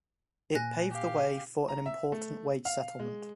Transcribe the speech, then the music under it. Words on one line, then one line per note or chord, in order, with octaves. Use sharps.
It paved the way for an important wage settlement.
A#2 G#5 F#6 A#6
G4 F5
A#5
E5
A3
F5
G#3